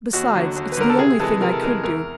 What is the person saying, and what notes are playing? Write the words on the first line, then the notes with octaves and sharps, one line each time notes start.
Besides, it's the only thing I could do.
D#2 F#4
D3 F#3
D#2
B4
D3 F#3 A#4
A4
C3 G#4
E3 G#3 A4
C3 A#4
A4
E3 G#3 A#4
E2 A#4